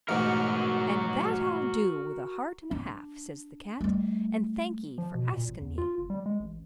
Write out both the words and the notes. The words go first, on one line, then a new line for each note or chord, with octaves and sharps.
"And that I'll do with a heart and a half," says the cat, "and thank 'ee for asking me."
A1 G#2 B2 F#4 A#4
D4
G3 A3
F3
B2
A#2
A1
E2
F4
F#1
G3
G#3
A1